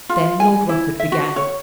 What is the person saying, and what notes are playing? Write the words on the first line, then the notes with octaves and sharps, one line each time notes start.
Then Lord Rufford began.
F4
G#5
E4
E5
F#4
C#5